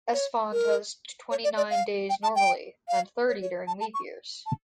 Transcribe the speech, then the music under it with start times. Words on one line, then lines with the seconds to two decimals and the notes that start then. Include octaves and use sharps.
Esfand has twenty-nine days normally, and thirty during leap years.
0.13 C#5
0.52 A#4
1.31 C#5
1.44 D5
1.57 D5
1.71 F5
2.10 G5
2.23 A5
2.36 G5
2.88 F5
3.29 C#5
3.42 C#5
3.67 A5
3.81 A5
3.94 C#6
4.46 A5